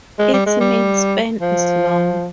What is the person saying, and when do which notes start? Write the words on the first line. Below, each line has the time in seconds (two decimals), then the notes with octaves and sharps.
Its main span is long.
0.19 G#3
0.33 G3
0.46 G#3
0.60 G3
1.41 F3